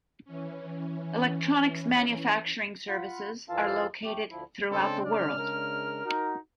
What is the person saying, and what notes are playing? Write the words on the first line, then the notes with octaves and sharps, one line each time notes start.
Electronics manufacturing services are located throughout the world.
E3 C#4
F4 F#5 B5
F2 E3 F4 F5 A5 E6
A3 G4
D2 F3 E4
C#3 G#3 C4 D4 A4
D5 F6
A#4
D#4 F#4